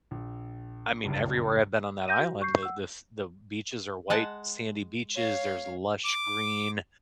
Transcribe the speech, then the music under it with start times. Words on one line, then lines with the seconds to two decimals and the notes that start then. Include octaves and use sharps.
I mean, everywhere I've been on that island, the the f the beaches are white, sandy beaches. There's lush green
0.11 A#1
1.04 F#1 C#2 G2
2.08 G6 A#6 D#7
2.19 F#4
2.42 C#6 G6 C7
2.63 F#5 E6
4.10 G#3 F#5 A5
5.16 C#5 F5
6.04 D6